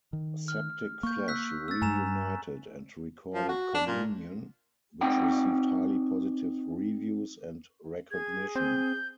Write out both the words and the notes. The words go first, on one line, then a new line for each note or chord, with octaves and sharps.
Septic Flesh reunited and recorded Communion, which received highly positive reviews and recognition.
D#3
F6
A#3 C#6 G6
E6 F#6 B6
E6 A6
G2 G3 G#5 A#5 E7
F3
F#4
D4
A#2
C4 D#4 C#5 F#5 G5
G#4 G#6
C4 G6